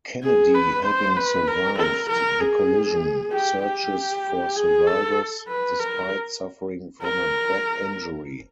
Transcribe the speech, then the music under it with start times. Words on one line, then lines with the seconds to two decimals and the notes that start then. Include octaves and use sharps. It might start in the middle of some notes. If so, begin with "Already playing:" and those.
Kennedy, having survived the collision, searches for survivors, despite suffering from a back injury.
0.23 G#4
0.54 B4
0.85 C5
1.16 B4
1.48 A#4
1.78 A#4
2.09 A#4
2.40 G#4
3.32 G4
3.63 G4
4.56 G#4
4.87 A4
5.49 B4
5.80 A#4
7.03 A#4